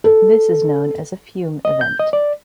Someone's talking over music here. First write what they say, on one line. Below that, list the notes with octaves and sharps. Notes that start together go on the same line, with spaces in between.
This is known as a fume event.
A4
D#5
G6
D#5
D5